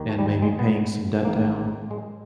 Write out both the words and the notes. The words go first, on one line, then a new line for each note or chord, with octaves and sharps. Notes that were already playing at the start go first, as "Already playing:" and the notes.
and maybe paying some debt down.
Already playing: D#2 D#3
A3
G3
G#3
G#3
B3
A1 G#2 D#3 A#3
G#3